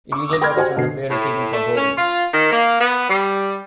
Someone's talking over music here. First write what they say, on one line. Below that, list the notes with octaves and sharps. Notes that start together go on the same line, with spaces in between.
It usually occurs when a player is kicking for goal.
C#6 D6 E6
D6 D#6 A#6
G5 B5 C6 D6 F6 G#6
F#4 G4 C5 F#5 G#5
B2 D3 C7
A2
A3
C#4
F4
D#3
A#3
B3
G3